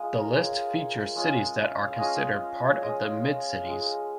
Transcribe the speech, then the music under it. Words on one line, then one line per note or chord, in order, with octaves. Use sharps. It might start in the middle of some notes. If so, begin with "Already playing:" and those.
The list features cities that are considered part of the Mid-Cities.
Already playing: G#3 F4 D#5 G#5
A#4
G#3 F4 C#5
G#3 C#4 F4
F5
G#3 C#4 F4 D#5
C#5
G#3 F4 D#5
G#3 F4